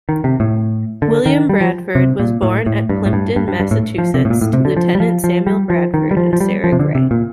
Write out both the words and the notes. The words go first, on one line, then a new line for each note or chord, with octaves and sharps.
William Bradford was born at Plympton, Massachusetts to Lieutenant Samuel Bradford and Sarah Gray.
D#3
C3
A2
D3
D#3
G3
F3
C3
A#2
A2
A2
G2
A2
G2
G2
G2
G2
A2
F3
C3
A2
A#2
A2
C3
D3
F3
G3
F3
F3
G3
F3
D#3
G3
F3
F3
G3
F3
C3
D3
C3
A#2